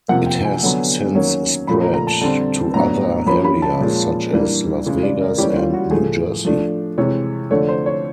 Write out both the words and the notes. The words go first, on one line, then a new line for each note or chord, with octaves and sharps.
It has since spread to other areas, such as Las Vegas and New Jersey.
C3 F3 A#3 F#5
G5
G#5
D3 F#3 B3
D#3 F#3 A#3 C#4
A#2 F3 A3 B5
A#5
A#5
A5
D3 G3 C4 A5
A2 F#3 B3 D4 A#5
F3 A#3 C#4 B5
B5
A5
A#2 F3 G#3 C#4
E3 G3 A#3 D4
C#3 E3 G#3
D5
A#4
E3 G3 A#3 C#4 G4
F4
F#4
A2 F3 A3 G#4
F3 A3 D4
C3 E3 G#3 C#5
D3 F3 A3 D4 C#5
C5
C#5